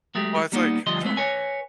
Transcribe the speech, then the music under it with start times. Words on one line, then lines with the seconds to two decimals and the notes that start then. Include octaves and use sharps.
Well, it's, like, I don't
0.15 F#3 G#3 A3 G4
0.52 G3 A#3 B3 D#4
0.87 D2 F3 G3 D#5 C6
1.05 G#3 A3 C4 B4
1.17 B4 C#5 G#5